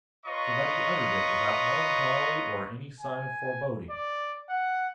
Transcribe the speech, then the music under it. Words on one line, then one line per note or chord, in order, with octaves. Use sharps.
So that he uttered it without melancholy or any sign of foreboding.
F4 B4 C#5 D#5 A#5 C#6
G#5
D5
F#5